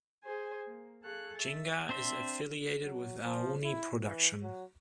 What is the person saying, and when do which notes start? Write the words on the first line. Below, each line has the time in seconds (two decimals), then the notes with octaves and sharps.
Ginga is affiliated with Aoni Production.
0.23 G#4 C5 G#5
0.66 A#3
1.02 G#4 A4 F5 C#6 F#6
1.37 E5 A6
1.89 C4 D4 C5 E5
2.83 F#3
3.25 F3
3.64 E4
4.03 E3
4.42 F#3